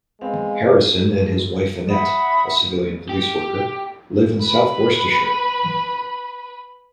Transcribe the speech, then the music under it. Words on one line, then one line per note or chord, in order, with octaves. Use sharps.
Harrison and his wife Annette, a civilian police worker, live in south Worcestershire.
G#3 B3 C4 F5
E5 F#5 B5 D#6
G4
B4 B5